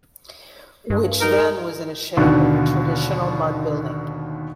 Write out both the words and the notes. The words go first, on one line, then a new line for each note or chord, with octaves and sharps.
Which then was in a shape of a traditional mud building.
G2
D#4 A#4
D#2 B2 D3 D#3